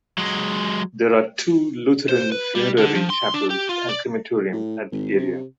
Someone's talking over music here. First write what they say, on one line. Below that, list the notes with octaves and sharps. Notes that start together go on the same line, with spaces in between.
There are two Lutheran funerary chapels and crematorium at the area.
F#3 G#3
C5
B4
G3
D3
F3
C6
D4
G4
F4
D5
A2
G#1
C3